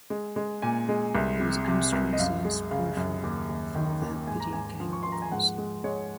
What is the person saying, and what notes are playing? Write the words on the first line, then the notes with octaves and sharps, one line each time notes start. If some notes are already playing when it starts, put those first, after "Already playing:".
It was Amstrad's last peripheral for the video game console.
G#3
G#3
A#2 G#5
G#3
C2
C3
C3
C2
D#5
F#2 F5
G#3
C#3 F5
F#2
D#2
D#2
D#3
D#2
G#2 G#5
A#5
G#2 G#5
F3
C#6
F3 C6
A#5
G#5
G#2 F#5
G#3
G#3 C#5